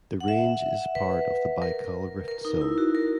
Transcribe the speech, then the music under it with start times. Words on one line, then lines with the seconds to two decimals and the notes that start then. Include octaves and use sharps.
The range is part of the Baikal Rift Zone.
0.20 F#5
0.28 E5
0.95 B4
1.62 A#4
2.28 A#4
2.45 D#4
2.61 E4
2.78 F#4
2.95 A#4